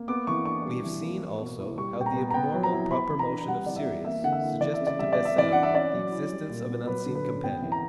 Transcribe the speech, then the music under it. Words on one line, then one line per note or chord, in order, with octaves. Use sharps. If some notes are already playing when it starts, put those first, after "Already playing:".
We have seen, also, how the abnormal proper-motion of Sirius suggested to Bessel the existence of an unseen companion.
Already playing: A#3
B3 D6
E3 C#6
D4 C#6
G3
E3
A#3
A#3
B2
E4
G3 C#6
A#2 G5
A#5
B3
A#5
B3 G5
F#3
A#5
E4
B3 B5
E3
A#5
D4
G3 F#5
E3 D5
E5
B3
A#3 E5
D3 F#5
E5
E4
E3 D5
E5
C#3
D5
G3 E5
D5
B3
E5
E3 D5
D4 F#5
E5
C#4 D5
F#3
E4
G3
A#2
B3
F#3 B4
D3
B4
C#4
B3 G5
E3
A#5